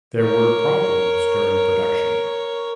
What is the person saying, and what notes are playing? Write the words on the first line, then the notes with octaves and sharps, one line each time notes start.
There were problems during production.
A#4 C#5